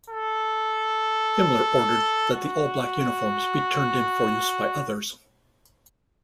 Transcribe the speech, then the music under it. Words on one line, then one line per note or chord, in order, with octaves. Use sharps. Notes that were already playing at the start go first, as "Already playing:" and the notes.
Himmler ordered that the all-black uniforms be turned in for use by others.
A4
F#4